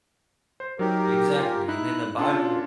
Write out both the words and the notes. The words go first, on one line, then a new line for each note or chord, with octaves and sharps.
Exactly, and in the bible
C5
F#3 D#4 G4 A#4
F4 G#5
D#4 E4 F#6
C#4 D4 F4 A4